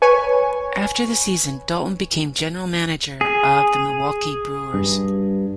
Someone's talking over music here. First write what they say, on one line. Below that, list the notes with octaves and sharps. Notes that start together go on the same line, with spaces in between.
After the season, Dalton became general manager of the Milwaukee Brewers.
B4 C#5 G#5 C#6
G#4
G2